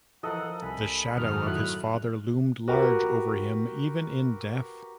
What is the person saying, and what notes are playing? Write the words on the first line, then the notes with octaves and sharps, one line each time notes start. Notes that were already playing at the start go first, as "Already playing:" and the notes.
The shadow of his father loomed large over him even in death.
E3 F3 A4 A#4 D#5 F#5
C2 G#5 B5
F#2 A2 D#3 F6
F#3 E4 F#6
F#4 G4 A#4 B4